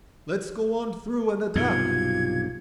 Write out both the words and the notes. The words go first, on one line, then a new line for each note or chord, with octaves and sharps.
"Let's go on through and attack!"
B1 G2 C3 F4 G#6